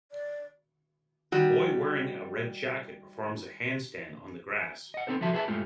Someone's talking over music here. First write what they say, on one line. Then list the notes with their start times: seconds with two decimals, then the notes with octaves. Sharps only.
Boy wearing a red jacket performs a handstand on the grass.
0.11 D5
1.32 D#3 G3 F#4
4.94 D#5 F#5
5.07 B3 C4 D#4 A4 C5
5.20 C2 F3 F#4 A4 E5 A5
5.33 G#4 B4 E5 G#5 A5
5.48 G2 G#3 A3 F4 G4